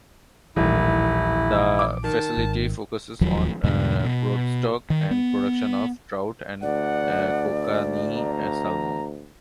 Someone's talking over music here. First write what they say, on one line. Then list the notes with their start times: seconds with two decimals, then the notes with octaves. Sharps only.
The facility focuses on broodstock and production of trout and kokanee salmon.
0.56 D#1 A#1 A2 D#3 E3 E4
1.79 D6
2.04 D#3 A5
2.37 G#1
3.21 D1 D#2 F3 F#3
3.64 E2 G#2 B2 D3
4.05 B2
4.90 D#3
5.11 B3
6.62 D2 D5 F#5
8.17 A#5